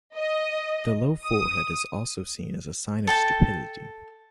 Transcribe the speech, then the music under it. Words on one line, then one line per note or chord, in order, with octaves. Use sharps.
The low forehead is also seen as a sign of stupidity.
D#5
D#6
A4 G5 A5